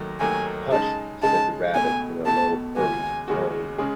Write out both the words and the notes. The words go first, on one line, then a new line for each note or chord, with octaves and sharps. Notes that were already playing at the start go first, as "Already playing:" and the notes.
Hush!’ said the Rabbit in a low, hurried tone.
Already playing: D#2 D#3 F#3 A3
D#2 D#3 F#3 A3 G#5
C#3 G#3 D#4 A5
C#3 G#3 D#4 A5
C#2 B2 A3 G#5
C#2 B2 A3 A5
D#2 C#3 G#3 C#4 F#4 G#5
D#2 C#3 G#3 C#4 F#4
C#3 G#3 C#4 G#4